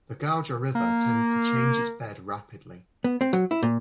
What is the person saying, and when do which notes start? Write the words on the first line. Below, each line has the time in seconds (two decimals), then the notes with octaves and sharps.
The Gauja River tends to change its bed rapidly.
0.75 A#3
3.04 B3
3.21 C4
3.33 F#3
3.51 E4
3.63 A#2